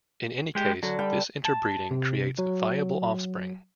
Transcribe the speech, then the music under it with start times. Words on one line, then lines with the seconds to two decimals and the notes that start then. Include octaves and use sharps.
In any case this interbreeding creates viable offspring.
0.55 G#3 G4
0.83 D3 F#3
0.99 G3 G5
1.45 A5
1.91 C3
2.38 F#3